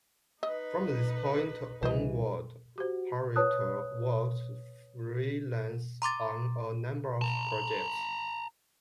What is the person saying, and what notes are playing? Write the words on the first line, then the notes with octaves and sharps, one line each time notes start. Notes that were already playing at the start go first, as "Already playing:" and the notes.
From this point onwards, Harriott worked freelance on a number of projects.
D#4 B4 D#5
C2 E3 C5 D#5
F#4 G4 C5
B4 C#5 A5 D#6 F#6
A#5 C6 D6 A6
A5 A#5